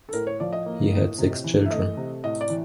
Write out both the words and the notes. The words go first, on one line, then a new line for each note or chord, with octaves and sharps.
He had six children.
A4
A2 A#4
C#5
F3 D5
D#5
A#3
A2
C3
E3
E5
A3 D#5
C3
A2 D#5
D5
E3